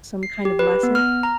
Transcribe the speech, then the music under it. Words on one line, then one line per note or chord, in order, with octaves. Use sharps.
some kind of lesson?
C7
G4
B4
B3
F6
A#5